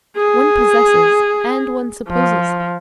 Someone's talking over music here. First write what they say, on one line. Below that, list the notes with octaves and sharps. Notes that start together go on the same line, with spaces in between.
One possesses and one supposes.
G#4
F3